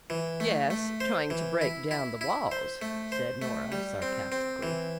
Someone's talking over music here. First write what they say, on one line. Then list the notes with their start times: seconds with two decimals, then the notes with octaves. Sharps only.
"Yes, trying to break down the walls," said Nora, sarcastically.
0.10 E3
0.40 A3
0.70 A3
1.01 C5
1.30 E3
1.61 E4
1.91 E4
2.21 E4
2.52 C5
2.82 A3
3.12 C5
3.42 A3
3.72 G3
4.02 C4
4.32 C4
4.63 E3